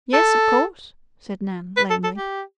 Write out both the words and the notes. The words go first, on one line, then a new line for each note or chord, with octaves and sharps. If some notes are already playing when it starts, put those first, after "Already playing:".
"Yes, of course," said Nan lamely.
A4
B4
A4
A4
G4